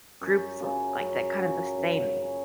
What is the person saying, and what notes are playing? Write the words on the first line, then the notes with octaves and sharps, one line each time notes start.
groups, like, that kind of the same
F#2
C#3 F#3
F#2
C#3 F#3
F#2
C#3 F#3